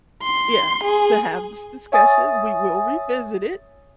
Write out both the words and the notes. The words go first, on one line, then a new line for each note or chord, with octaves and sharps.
Yeah, "To have this discussion, we will revisit it,"
C6
G#4
C#5 E5 G#5 D#6 A6